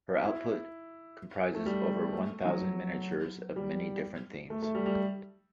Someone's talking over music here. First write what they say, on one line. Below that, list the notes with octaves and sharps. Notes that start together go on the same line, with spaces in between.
Her output comprises over one thousand miniatures of many different themes.
E4
A3
G3
A3
F#3
G3
A3
A3
G3
G3